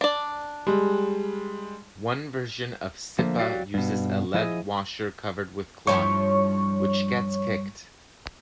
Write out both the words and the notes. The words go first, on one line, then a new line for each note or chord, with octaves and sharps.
One version of Sipa uses a lead washer covered with cloth, which gets kicked.
D4 D5
G3 G#3
D3 F3 A3 A#3
F#3 F#4 G4 D5 F5
G2 B2
F3 E4 G#4 D#5
G2 F3 E4 C#5 C#6